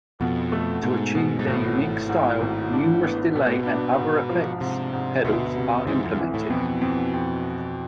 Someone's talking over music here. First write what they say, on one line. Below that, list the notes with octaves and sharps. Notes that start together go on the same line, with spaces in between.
To achieve their unique style, numerous delay and other effects pedals are implemented.
F2 B2
A3
G#2 B2
B2
G#2
G#1 A2
G#1
G#2
G#1
D4
B3
B2 B3
A2
B2
D4
G#2
F3
G#2 C3
G#2
D2 B2
C3
G#2 E3
F2
E3
A2
F2 B2
F2
F2